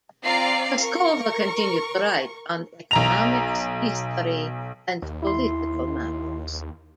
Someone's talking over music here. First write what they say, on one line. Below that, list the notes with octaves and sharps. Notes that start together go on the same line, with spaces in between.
Kuskova continued to write on economics, history and political matters.
C4 F4 D5 F5 A#5 C7
A#4 C#6
B1 A#5 F7
D#2
E4 C6